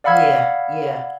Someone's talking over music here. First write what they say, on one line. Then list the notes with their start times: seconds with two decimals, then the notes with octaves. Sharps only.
Yeah, yeah.
0.04 D5 F5 F#5 B5 E6 G#6